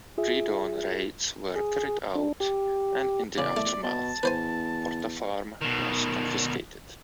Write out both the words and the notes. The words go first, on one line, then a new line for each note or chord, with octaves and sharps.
Pre-dawn raids were carried out and, in the aftermath, Porta Farm was confiscated.
F4 G#4 E5
G#4
D4
G4
E2 C#3 D5
A3
B2 A5
E2 B4 C5 G#5
B2 D#3